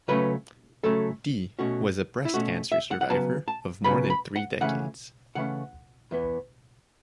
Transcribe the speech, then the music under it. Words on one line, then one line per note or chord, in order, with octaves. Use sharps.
Dee was a breast cancer survivor of more than three decades.
C#3 F#3 A3 C#4 B4
C#3 F#3 A3 C#4 A4
B2 A3 C#4 F#4
E4
B2 A3 C#4 F#4
E5
F#5
F#5
C#3 F#3 B3 A5
A5
C#3 F#3 B3 B5
B5
F#5
C#3 E3 A3 C#4 F#5
C#3 E3 A3 C#4 F#5
E2 E3 B3